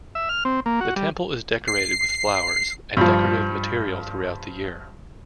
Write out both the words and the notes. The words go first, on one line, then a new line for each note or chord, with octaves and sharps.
The temple is decorated with flowers and decorative material throughout the year.
E5
F6
C4
A#3
F#4
G3
C7
G2 F3